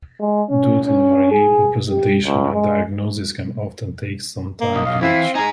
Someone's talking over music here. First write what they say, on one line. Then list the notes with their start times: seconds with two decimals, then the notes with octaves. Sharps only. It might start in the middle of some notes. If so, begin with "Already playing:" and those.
Due to the variable presentation, a diagnosis can often take some time to reach.
0.20 G#3
0.49 C#4
0.86 C#4
1.32 G#4
1.89 G4
2.23 C#2
2.53 G#3
4.61 A#3
4.75 B1 D#5
4.86 F5
5.02 E3 C4 E4 F5
5.35 D#4 G#4 G#5 A#5